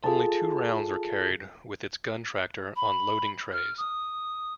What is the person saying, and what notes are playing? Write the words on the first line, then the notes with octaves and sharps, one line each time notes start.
Only two rounds are carried with its gun tractor on "loading trays".
F4 G#4 A4 A5
B5
F6
D#6